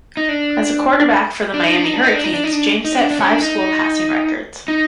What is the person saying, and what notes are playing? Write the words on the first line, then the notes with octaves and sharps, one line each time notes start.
As a quarterback for the Miami Hurricanes, James set five school passing records.
D#4
D4
D4
D#4
D4
D#4
D4
D#4
D4
D#4
D4
D#4
D4
D#4
D4
D4
C#4
D4
D#4
D#4